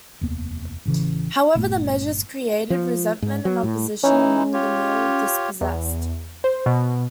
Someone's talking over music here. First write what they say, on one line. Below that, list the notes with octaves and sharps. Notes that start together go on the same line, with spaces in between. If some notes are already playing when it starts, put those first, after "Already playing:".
However, the measures created resentment and opposition among the newly dispossessed.
F1 D#2 B3
A1 C#3 E3
G1 A#2 A3 B3
F3
G#2
F#3
A2
E3 C#4 D#4 E4
F4 G4 C#5
E2
C5
B2